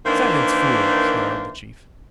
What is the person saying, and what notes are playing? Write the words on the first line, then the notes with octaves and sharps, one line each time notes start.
"Silence, fool!" snarled the chief.
D#3 E3 A#3 D4 C5